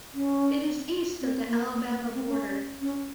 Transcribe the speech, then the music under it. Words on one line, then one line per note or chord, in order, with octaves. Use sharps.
It is east of the Alabama border.
C#4
C4
A#3
A#3
A#3
A#3
C4
C#4
C#4